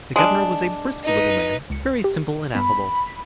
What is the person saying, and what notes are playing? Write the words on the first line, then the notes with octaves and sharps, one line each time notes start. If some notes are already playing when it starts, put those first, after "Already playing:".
The governor was a brisk little man, very simple and affable.
G#3 D4
D#4 B4
C#2 C#7
G4
G2 B3 B5